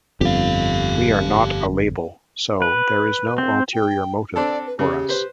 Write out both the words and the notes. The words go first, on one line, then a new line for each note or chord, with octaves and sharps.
We are not a label, so there's no ulterior motive for us.
G1 F2 G4 F5
B4
C4
G5
C4 D4 A4 D5
B4
C#3 G4
B4 C5